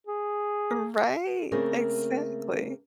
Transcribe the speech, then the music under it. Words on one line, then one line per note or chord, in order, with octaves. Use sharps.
Right. Exactly,
G#4
C#3 A3 A#3 C4 G#4 A#4